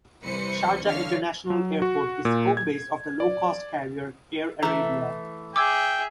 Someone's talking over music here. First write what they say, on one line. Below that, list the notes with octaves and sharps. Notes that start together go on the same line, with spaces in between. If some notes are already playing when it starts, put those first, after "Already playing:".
Sharjah International Airport is home base of the low-cost carrier Air Arabia.
C2 E3 B4 C5 C#7
D3 E3 C#5 F5 F6
F#3
F#4
A#2
G#6
D5
E3 A3 A#5
G#4 E5 G5 D6 E6 G#6